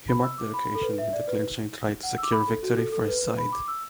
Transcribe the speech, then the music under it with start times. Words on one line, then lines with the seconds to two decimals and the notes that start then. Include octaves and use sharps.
He marked the occasion with the clinching try to secure victory for his side.
0.09 B5
0.23 E6
0.38 D6
0.54 B5
0.75 A4
0.82 B4
0.98 E5
1.13 D5
1.28 B4
2.03 F#5
2.18 E6
2.23 D6
2.32 B5
2.47 A4
2.63 F#4
2.77 A4
2.92 A4
3.08 B4
3.22 B4
3.38 B5
3.53 D6
3.68 E6